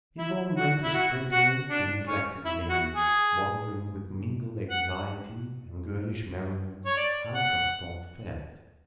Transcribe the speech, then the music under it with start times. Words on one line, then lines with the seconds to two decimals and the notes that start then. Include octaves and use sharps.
Yvonne went to sprinkling the neglected linen, wondering with mingled anxiety and girlish merriment how Gaston fared.
0.19 E4
0.57 F#4
0.83 E4
0.94 F#4
1.32 F#4
1.70 D4
2.07 C#4
2.45 E4
2.69 F#4
2.95 G#4
4.70 F#5
6.86 C#5
6.97 D5
7.34 F#5